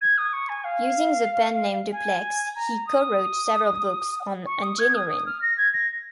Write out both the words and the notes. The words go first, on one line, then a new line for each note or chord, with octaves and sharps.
Using the pen name "Duplex" he co-wrote several books on engineering.
G#6
D#6
C#6
G#5
F5
G#5
A#5
D#6
C#6
D#6
G#6
D#6
D#6
F6
A#6
G#6
A#6